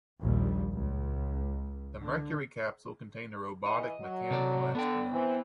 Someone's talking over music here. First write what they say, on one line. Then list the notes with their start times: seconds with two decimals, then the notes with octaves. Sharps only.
The Mercury capsule contained a robotic "mechanical astronaut".
0.21 A#1 D#2 G3
0.72 C#2
2.01 D3
3.66 E3 D#5
4.00 F#3
4.31 C3 A4 D5
4.75 D3 B3 G5
5.12 E3 C4